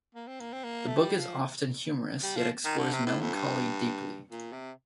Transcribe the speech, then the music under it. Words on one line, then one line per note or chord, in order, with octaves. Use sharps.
The book is often humorous yet explores melancholy deeply.
A#3
C4
A#3
C4
A#3
A3
G3
F3
G3
F3
D#3
D3
C3
A2
F2
G2
A#2
C3